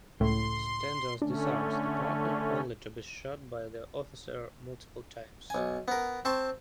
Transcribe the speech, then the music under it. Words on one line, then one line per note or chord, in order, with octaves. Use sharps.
Stander disarms the partner only to be shot by the officer multiple times.
C#2 A2 C6
D3 A3 C#4 D4
B1 G#5
B3 A#4
C4 C5 A5 C#6